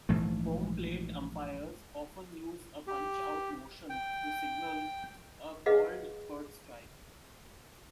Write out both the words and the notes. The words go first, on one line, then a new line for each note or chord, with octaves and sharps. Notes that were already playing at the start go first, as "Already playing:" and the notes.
Home plate umpires often use a "punch-out" motion to signal a called third strike.
A#1 G#2 E3 A3
G4
G5
G#4 B4 D#5 F5 F#5